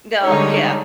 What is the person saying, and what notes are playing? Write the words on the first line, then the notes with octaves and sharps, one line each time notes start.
No, yeah.
D3 G3 G#3 D#4 C#5